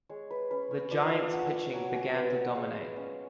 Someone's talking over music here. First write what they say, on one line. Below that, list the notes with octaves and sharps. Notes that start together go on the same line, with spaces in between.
The Giants pitching began to dominate.
G#3 C#5
B4
C#4 B4
C#5
F3 D5
F5
A3 F#5
G#5
F#5
F#3 G#5
G#5
B3 F#5
F#5
G#3 F5
C#4